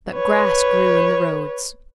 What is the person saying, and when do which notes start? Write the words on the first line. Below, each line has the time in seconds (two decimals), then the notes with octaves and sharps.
But grass grew in the roads.
0.15 B4 C#5